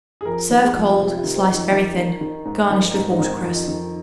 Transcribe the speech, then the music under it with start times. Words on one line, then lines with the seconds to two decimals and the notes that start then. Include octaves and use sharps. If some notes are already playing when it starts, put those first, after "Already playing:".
Serve cold, sliced very thin, garnished with watercress.
0.21 G#4
0.25 F2 A#4
0.50 D#3
0.62 G#4
0.74 F2
0.99 C3 F4
1.17 F4
1.23 D#3
1.35 C4
1.48 F2
1.54 D#4
1.72 D#3
1.97 D#3
2.21 D#3
2.45 G#2
2.70 D#3
2.82 D#4
2.94 G#2
3.11 D#4
3.19 D#3 C4
3.43 F2
3.56 D#4
3.68 D#3